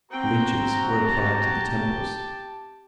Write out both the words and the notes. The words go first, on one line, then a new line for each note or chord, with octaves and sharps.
Leeches were applied to the temples.
C4 F#4 G5 A#5
G4 A5